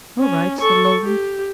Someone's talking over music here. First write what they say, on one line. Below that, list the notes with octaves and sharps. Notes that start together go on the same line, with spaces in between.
"All right," said Logan.
C#4
A4 C#6
G4